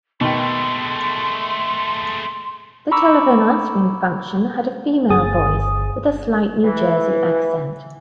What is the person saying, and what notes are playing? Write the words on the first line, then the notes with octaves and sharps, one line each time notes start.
The telephone answering function had a female voice, with a slight New Jersey accent.
B2 D#3 G#3 A3 G5 C6
A#5 B5 C#6 D6 E6
G1 G#4 D#6 A6
E3